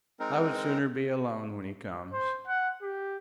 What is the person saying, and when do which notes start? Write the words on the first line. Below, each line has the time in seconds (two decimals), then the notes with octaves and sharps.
I would sooner be alone when he comes.
0.20 G#3 C4 D#4 A#4
2.13 C5
2.48 F#5
2.82 G4